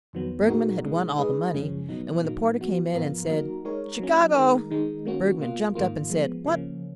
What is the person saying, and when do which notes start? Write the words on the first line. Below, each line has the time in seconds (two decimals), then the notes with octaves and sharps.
Bergmann had won all the money, and when the porter came in and said 'Chicago,' Bergmann jumped up and said: 'What!
0.13 F2 D#3 F#3 B3
0.48 A#2 G#3 D#4 F#4 A#4
0.83 B2 G#3 D#4
1.18 G#3 D#4 G#4 B4 D#5
1.54 F#2 C#3 F3 G#3 C#4
1.89 B2 F#3 B3 D#4
2.24 A#2 F#3 A#3 D#4
2.59 F3 B3 F#4
2.94 G#2 F3 B3 F4 A#4
3.29 F#3 A#3 D#4 F#4 A#4
3.65 G#3 D#4 A#4 C#5
3.99 F#3 A#3 C#4
4.35 D#3 G#3 D#4 A#4
4.71 D#3 G#3 D#4
5.06 D#3 A#3 C#4 F#4
5.40 B2 A#3 F4
5.75 G#2 D#3 A#3 F4
6.10 F3 G#3 B3
6.45 C#3 F3 A#3 C#4